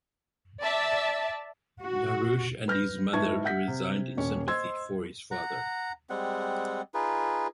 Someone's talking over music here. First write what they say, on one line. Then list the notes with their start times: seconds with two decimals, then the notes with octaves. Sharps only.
LaRouche and his mother resigned in sympathy for his father.
0.61 D5 E5 A5
1.81 F#4
2.68 B4 F6 G6 A#6
3.13 G#2 E4 B4 A5 C#6 G#6
3.44 E5 F#5 G6 B6
3.68 C3
4.17 D#1 C#4 C#5
4.47 C5 D#5 C6 E6 G#6
5.31 F#5 A#5
6.10 G3 G#3 C4 F#5
6.94 D#4 F4 G#4 B4